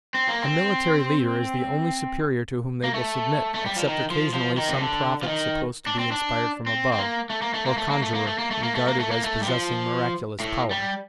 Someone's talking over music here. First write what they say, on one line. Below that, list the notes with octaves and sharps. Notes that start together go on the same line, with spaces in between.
A military leader is the only superior to whom they will submit, except occasionally some prophet supposed to be inspired from above, or conjurer regarded as possessing miraculous power.
C4
A#3
C4
A#3
A3
A3
G3
F3
D#3
F3
F3
D#3
C3
D3
F3
D#3
D4
C4
D4
C4
C4
A#3
A3
A#3
A3
A#3
A3
A#3
A3
A#3
A3
A#3
A3
A#3
A3
A#3
A3
A#3
A3
G3
F3
A2
G3